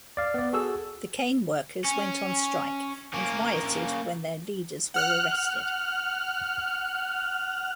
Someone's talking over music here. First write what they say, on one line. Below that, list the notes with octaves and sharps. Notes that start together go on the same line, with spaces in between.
The cane workers went on strike and rioted when their leaders were arrested.
D5 F5
B3 D5
F#4 G#4 A4 E6
C#4
A#3 C#4
F#5 F6 F#6